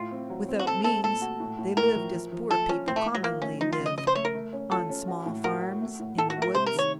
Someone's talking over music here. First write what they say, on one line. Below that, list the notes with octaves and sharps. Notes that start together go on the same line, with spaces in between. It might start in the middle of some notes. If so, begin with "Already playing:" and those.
Without means they lived as poor people commonly live, on small farms in the woods.
Already playing: A2 F4
C4
F#3
C4
F#4
C4 A4
A3 A4
A#2 A4
F#4
A2
A2
A2 A#4
F3
F3
F3
F4 A4
F3 C#4
A2 C4
A3
A2
F#3
F3 A#3
A3 C#4
F3 D#4
F4
C#3
D#5
C#3 D#5
C5
A3 C#5
A#4
A3
C#4
F4 A4
C#4
F#4
A2
F#4 A#4
F#4
A3
A2
A2 A4
F#4
A3
A#4
C3 C5
A#4
D#3
C#5